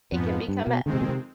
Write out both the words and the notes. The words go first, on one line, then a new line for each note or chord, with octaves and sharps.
it can become a
F2 G#2 F3 B3
G2
B2
F2 D3 D#3 G#3 C4
C3
B2
C3